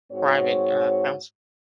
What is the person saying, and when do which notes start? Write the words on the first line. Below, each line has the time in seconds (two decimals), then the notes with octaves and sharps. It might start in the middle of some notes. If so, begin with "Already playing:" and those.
private, uh, counselor.
0.12 G#2 C4 F#4 C#5